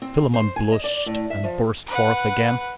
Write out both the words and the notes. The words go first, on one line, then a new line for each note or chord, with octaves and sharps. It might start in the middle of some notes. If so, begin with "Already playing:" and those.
Philammon blushed and burst forth again.
C4
C5
G#5
D#5
D5
A2
E5
F3
B4 F#5